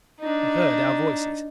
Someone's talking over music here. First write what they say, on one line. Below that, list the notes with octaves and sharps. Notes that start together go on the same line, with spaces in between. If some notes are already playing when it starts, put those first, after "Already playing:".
He heard our voices.
D4 D#4